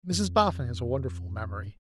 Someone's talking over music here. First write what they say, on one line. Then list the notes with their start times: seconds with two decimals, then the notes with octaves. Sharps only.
Mrs Boffin has a wonderful memory.
0.12 F2
1.63 G2